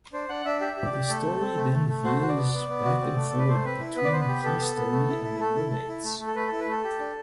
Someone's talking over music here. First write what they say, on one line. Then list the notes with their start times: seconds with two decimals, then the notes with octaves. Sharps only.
The story then veers back and forward between his story and the mermaid's.
0.13 D4 C5
0.29 D4 F#5
0.45 D4 E5
0.61 G4 E5
0.77 G4
0.85 D5
0.93 G4
1.09 A3 A4
1.25 C4
1.41 C4
1.57 A3
1.72 A3
1.89 A3
2.05 F#4 C5
2.21 F#4
2.28 D5
2.36 B3
2.52 B3
2.69 B3
2.85 F#4
3.00 C4
3.16 A3
3.29 A3 A4
3.39 B4
3.48 A3 C5
3.64 C4 B4
3.80 E4
3.96 B3 B4
4.04 D5
4.12 B3 C5
4.20 B4
4.29 G4
4.44 B3 A4
4.60 B3
4.76 B3
4.92 A3
5.08 E4
5.24 E4
5.40 A3 A4
5.56 E4
5.72 A4
5.88 E4
6.04 A3
6.19 A3
6.27 A4
6.35 A3 B4
6.47 E4 A4
6.60 B4
6.67 A3 A4
6.84 G4
7.00 D4